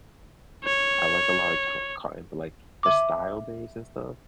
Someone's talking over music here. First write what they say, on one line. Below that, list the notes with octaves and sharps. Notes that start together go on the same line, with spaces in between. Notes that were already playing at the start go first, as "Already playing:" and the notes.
I like a lot of cyo cotton, but, like, for style-based, and stuff
C#5
E5 D6